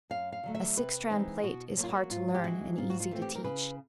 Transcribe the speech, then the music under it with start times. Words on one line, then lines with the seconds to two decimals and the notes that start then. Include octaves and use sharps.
A six-strand plait is hard to learn and easy to teach.
0.10 F#2 F5
0.32 F5
0.43 D3 F#3 A3
0.55 E5
0.77 C3 B4
1.10 E3 G#3 C4 D#4
1.44 B2 F#4
1.77 F#3 A#3
1.84 F4
1.89 F#4
2.11 G#2 F4
2.34 G4
2.44 E3 G#3 F#4
2.78 G#2 F4
2.90 F#4
3.00 F4
3.11 E3 A3 C4
3.22 G4
3.35 A#4
3.44 C#3 B4